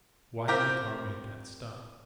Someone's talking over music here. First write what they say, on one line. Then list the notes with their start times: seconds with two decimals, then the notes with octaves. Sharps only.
Why had the car made that stop?
0.48 C4 F4 G4 A#4